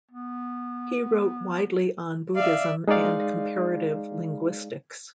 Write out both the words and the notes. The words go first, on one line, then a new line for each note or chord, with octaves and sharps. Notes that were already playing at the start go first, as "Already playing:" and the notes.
He wrote widely on Buddhism and comparative linguistics.
B3
D5 E5 F5
G#3 D#4 G#4 D5 F5